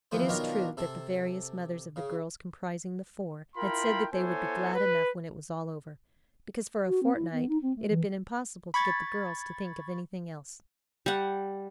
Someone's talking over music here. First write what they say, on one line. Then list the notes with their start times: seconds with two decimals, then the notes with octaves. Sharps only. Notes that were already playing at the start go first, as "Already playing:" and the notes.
It is true that the various mothers of the girls comprising "The Four" had said that they would be glad enough when it was all over, because for a fortnight it had been impossible to get the girls to think of anything else.
0.11 D#2 E3 F3 C5
0.28 B2 D#3 F#3 D4 F4 A#4
0.77 C3 A4
1.96 C#3
3.56 E4 F4 A#4 G5 B5 C6
4.13 B3 E4 A4 C5 C#5 G#5
4.74 B4
6.87 F#4
7.02 C4
7.15 E4
7.32 B3
7.48 D#4
7.62 C4
7.76 A3
7.90 E3
8.74 B5 C#6 G#6 A6
11.06 G3 F#5